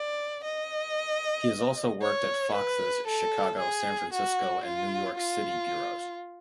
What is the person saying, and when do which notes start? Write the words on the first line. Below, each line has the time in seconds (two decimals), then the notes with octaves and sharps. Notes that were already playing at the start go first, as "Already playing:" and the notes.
He has also worked at Fox's Chicago, San Francisco, and New York City bureaus.
Already playing: D5
0.44 D#5
2.02 C#5
2.55 B4
3.07 A4
3.60 G#4
4.13 F#4
4.65 F4
5.18 F4